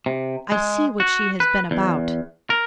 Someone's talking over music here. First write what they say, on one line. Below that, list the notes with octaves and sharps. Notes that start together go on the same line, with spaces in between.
I see what she has been about.
C3
G#3
F#4
B4
E2
A#4